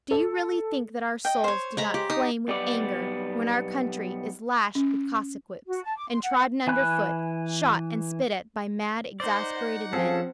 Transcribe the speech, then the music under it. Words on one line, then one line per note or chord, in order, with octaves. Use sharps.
Do you really think that our souls do not flame with anger when our country is lashed with Cossack-whips, and trodden under foot, shot and spit at by mad, exasperated men?
A4
D#5 G5
C5 C#5
G#3 A#5 B5
G4
D#4 D#6
B1 G3 B3 D5
C#4
F#4
A5
D6
C6
F#5
E3 G#5 B5 F#6
D#4 C5 D5 F#5
F#5
F3 C4 C#4 G#4 A4